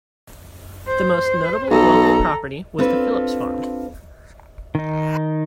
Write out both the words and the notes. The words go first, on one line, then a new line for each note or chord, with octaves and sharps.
The most notable local property was the Phillips Farm.
C5
B1 A4 A#5
C4 D4 F4 A4 B4
D#3 D#4